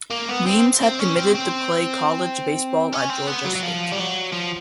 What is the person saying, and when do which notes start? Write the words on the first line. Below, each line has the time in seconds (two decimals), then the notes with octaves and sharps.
Weems had committed to play college baseball at Georgia State.
0.10 A#3
0.29 B3
0.46 C4
0.82 C4
0.99 C#4
1.16 C4
1.34 C4
2.92 C#4
3.10 C4
3.27 B3
3.45 F#3
3.56 F#3
3.63 F3
3.92 G3
3.98 F#3
4.33 F3